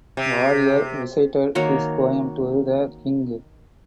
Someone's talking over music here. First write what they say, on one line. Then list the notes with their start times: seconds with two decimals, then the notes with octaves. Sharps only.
Warrier recited his poem to the king.
0.17 C3
1.55 D#3 A#3 F#4 C#5